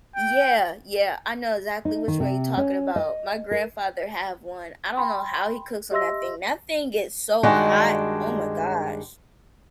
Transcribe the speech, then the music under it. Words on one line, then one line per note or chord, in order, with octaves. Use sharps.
Yeah, yeah. I know exactly which one you're talking about. My grandfather have one, I don't know how he cooks on that thing, that thing gets so hot, oh my gosh.
G5
D#4
D#3
C3
C#4
D#5
A#4
G5 B5 C6
G4 D#5 E5 C6 E6 A#6
G2 D#3 G#3 D4 F#4